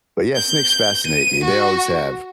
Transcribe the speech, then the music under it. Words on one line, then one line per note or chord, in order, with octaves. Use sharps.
but, yeah, snakes fascinate me, they always have.
G6
D#7
F#4